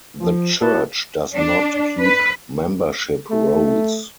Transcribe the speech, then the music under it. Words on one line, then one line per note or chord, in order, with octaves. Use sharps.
The church does not keep membership rolls.
F3
E4 F#4 B4 A5
D4
B4
A3